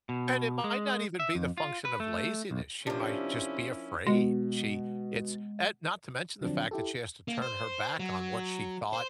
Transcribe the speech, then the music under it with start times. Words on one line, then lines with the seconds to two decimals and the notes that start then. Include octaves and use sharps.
And it might not even be the function of laziness, she might just be afraid. She it's uh, not to mention the fact that she has to turn her back on what she thought
0.09 B2
0.64 G#3
1.20 E5
1.35 F2
1.57 F4
1.85 B4
2.00 A3
2.51 B1
2.87 C3 F3 A#3 C#4 D4 E4 C5
4.07 B2 G#3
6.41 D3 F3 F#3 C4 D4
6.71 E4 G4 A4
7.28 A#3
7.42 C5
8.00 F#3
8.93 C5